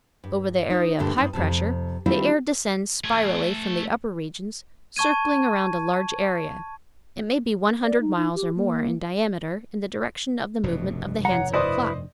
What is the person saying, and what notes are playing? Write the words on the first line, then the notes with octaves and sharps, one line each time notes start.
Over the area of high pressure the air descends spirally from the upper regions, circling around a large area--it may be one hundred miles or more in diameter--in the direction of the movement of the hands of a clock.
G2
D#4 C5
D2 G2 A#2 D3 G4 A5
G2 D3 C4 D#4
F2 C3 A5
D#3 G3 C4 D4 E4 F4
A3 G#5
A5 C#6 G#6 D#7
D5
D#4
D#4
G4
A#3
F1 G2 B2
C#5 F#5 A#5
E4 B4 C5 D5 D#5 D#6